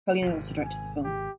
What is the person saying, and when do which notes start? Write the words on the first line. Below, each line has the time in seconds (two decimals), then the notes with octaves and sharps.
Carlino also directed the film.
0.22 G#1 C3
0.64 G#5
1.04 G4